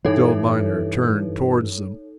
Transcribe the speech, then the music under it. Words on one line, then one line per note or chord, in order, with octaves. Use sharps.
The old miner turned towards them.
G2 E3 D#4 A4 C#5